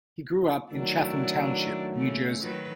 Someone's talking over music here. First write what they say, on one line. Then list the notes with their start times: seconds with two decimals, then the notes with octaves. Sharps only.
He grew up in Chatham Township, New Jersey.
0.72 D#3 F#3 A3 D4 E4
1.94 C#3 A3 A#3
2.43 D#3 F#3 B4